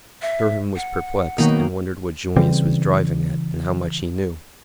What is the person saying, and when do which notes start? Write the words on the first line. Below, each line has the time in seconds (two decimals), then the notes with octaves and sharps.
Durham was perplexed, and wondered what Julius was driving at, and how much he knew.
0.22 E5
0.76 F#5
1.38 B2 D#3 F#3 A#3
2.36 C#3 E3 G3 C4